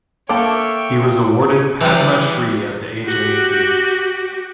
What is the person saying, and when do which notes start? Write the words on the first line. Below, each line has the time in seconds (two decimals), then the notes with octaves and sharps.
He was awarded Padma Shri at the age of eighteen.
0.29 A#3 A4 C#5 E5 F5 G5 A5 D6
1.81 E3 G3
3.05 F#4 G4